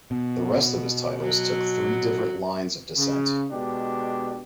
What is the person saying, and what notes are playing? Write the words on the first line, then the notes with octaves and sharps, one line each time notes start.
The rest of his titles took three different lines of descent.
B2
F#3
C#3
B2 G#3 D4 G4